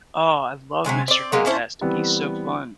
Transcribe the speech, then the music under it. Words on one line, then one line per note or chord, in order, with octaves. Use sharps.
Oh, I love Mister Fantastic, he's so fun.
C3 F#3 G#3 G#5
C4 D5
F#3 G#3 A#3
C#4 D4 E4 C5
E3 G3 B3 C4